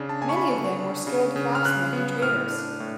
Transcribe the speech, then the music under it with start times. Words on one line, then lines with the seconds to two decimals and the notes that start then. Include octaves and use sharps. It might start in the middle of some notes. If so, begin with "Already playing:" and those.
Many of them were skilled craftsmen and traders.
Already playing: C#3 D4
0.09 A5
0.22 C#3 G#5
0.29 C#6
0.36 B5
0.50 D3 C#6
0.79 D4
1.07 C#3
1.36 C#3
1.55 F6
1.65 C#3 F#6
1.93 B3
2.22 A2 F6
2.50 D4
2.80 A2